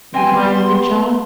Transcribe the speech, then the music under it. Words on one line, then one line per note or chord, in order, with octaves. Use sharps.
It was my only chance.
B3 C4 G5 G#5 C6